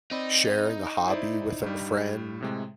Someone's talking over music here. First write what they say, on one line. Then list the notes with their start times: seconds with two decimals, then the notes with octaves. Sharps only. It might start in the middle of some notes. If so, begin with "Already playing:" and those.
sharing a hobby with a friend
0.11 C4 D#4 D5 B5
1.08 E4 C5 D5
1.63 G2 G3
2.41 A2 C3 G#3